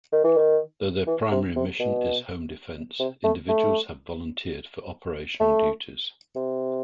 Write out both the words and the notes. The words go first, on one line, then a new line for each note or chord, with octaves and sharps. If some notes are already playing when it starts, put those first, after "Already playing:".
Though their primary mission is "home defence", individuals have volunteered for operational duties.
D#3
E3
D#3
E3
C3
C3
B2
C3
A3
A3
A3
C3